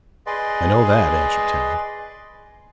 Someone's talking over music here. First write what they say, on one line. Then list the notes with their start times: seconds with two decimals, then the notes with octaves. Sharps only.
"I know that," answered Tad.
0.26 G#4 B4 D5 D#5 C6